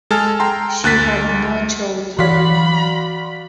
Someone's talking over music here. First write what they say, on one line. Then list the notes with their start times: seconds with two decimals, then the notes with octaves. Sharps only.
She had no children.
0.11 G#3 A4 G#5 A5 F6
0.40 G5 A#5 C6
0.84 D2 F#6 A6 B6
2.19 E3 F#4 D5 F5 B5 C6 B6